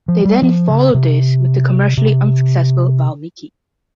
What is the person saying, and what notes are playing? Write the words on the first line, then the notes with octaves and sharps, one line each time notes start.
They then followed this with the commercially unsuccessful Valmiki.
F3
G3
F3
C#3
C3
C3